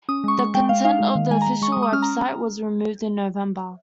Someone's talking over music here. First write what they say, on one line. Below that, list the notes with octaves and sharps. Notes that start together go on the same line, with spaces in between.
The content of the official website was removed in November.
C#4 D#6
G#3 C#6
G#3 C#6
G#3 G5
G#3 F5
D#4 F5
G#3
D#3
G#3 G#5
A#5
G#3
G#3 C#6
D#6
G#3
D#6
C#4 F6
A#5